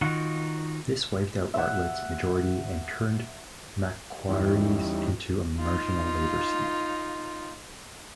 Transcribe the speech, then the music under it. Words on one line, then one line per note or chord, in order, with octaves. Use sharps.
This wiped out Bartlett's majority and turned Macquarie into a marginal Labor seat.
D#3 D#4 F4 F#4 F#5
E5 F#5
E2 G3 C#4 D#4 E4
D#4 F4